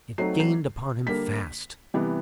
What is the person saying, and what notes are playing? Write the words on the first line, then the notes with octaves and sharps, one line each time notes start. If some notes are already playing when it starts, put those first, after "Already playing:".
It gained upon him fast.
F#3 A3 C4 D#4 C7
C7
D3 G3 A#3 B6
C3 E3 G3 B3